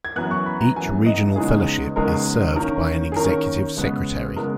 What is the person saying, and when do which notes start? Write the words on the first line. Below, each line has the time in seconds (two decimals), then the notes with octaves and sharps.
Each regional fellowship is served by an Executive Secretary.
0.05 G#6
0.16 F#2 E3 B3 F#6
0.31 C#6
0.46 B5
0.61 A#5
0.76 F#2 E3 B3 G#5
1.06 D#5
1.36 E2 C#3 G#3 B3 D#4 G#4
1.96 E2 C#3 G#3 B3 D#4 A#4
2.56 D#3 A#3 C#4 A#4
3.12 G#4
3.16 D#3 A#3 C#4 A#4
3.76 C#3 G#3 B3
4.36 C#3 G#3 B3 A#4